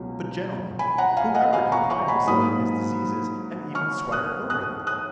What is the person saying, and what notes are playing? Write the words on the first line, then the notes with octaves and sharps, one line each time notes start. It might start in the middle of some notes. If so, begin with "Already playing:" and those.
But, gentlemen, whoever can pride himself on his diseases and even swagger over them?
Already playing: C#2 B2 F#3
G#5 B5
F#5 A#5
F5 G#5
D#5 F#5
F5 G#5
A#5 C#6
A#5 C#6
G#5 B5
G#2 F#3 A#3 B5 D#6
C#6 F6
D#6 F#6
D#6 F#6
D#6 F#6